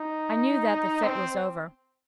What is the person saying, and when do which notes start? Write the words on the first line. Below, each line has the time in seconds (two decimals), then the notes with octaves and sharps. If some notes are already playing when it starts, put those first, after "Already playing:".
I knew that the fit was over.
Already playing: D#4
1.04 C4